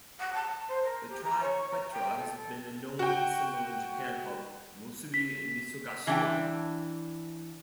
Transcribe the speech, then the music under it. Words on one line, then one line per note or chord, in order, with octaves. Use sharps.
The triquetra has been a known symbol in Japan called "Musubi Mitsugashiwa".
F#5
A5
C5
A#4
G4
A#5
C#5
A#5
G5
A4
F#4 G5
B6
E3 D4 G5